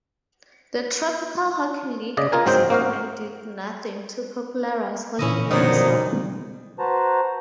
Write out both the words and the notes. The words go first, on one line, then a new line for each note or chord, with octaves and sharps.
The Tropical Hockey League experiment did nothing to popularize hockey in the South.
C#3 D5 D#5
F4 A#4 G#5
G#2 F#3 C4 C5 D#5 G5
A#3 F#4 F5
A#2 D3 E3 C#4 E4 D#5
F#2 B2 D3 D#3 F3 A#3 D5 D#6
F#4 B4 C5 A5 A#5